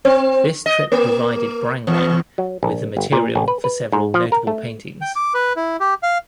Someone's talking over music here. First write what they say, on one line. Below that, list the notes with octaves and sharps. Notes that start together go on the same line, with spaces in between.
This trip provided Brangwyn with the material for several notable paintings.
C4
D#5
A#3
E2
F#3
A#1
G1
A#2
A1
B4
B4
G#2
F3
A#4
A3
G5
D6
B4
E4
G4
F5